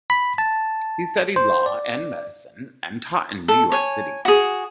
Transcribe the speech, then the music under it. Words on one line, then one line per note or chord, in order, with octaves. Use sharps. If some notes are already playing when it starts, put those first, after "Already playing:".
He studied law and medicine, and taught in New York City.
B5
A5
C5
D5
A4
C#5 G#5
F#4 G#4